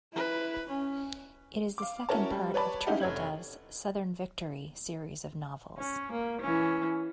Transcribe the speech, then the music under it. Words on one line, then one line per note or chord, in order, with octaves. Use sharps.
It is the second part of Turtledove's Southern Victory series of novels.
E4 B4
C#4
F5 D6
C#4 E4 F#4 A#4 C#5 A5
G3
B4 C#5 D5 A5 B5
C#4 D#4 E4 G4 F#5
F1 C#5 G#6 F#7
C#4
A#3
E3 C#4